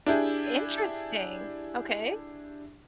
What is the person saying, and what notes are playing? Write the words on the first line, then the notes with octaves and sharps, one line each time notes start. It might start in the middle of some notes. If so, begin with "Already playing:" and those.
Interesting, okay.
D4 E4 G4 G#4